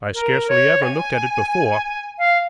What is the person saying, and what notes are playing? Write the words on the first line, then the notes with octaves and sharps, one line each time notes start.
'I scarcely ever looked at it before.
A#4
C#5
G#5
F5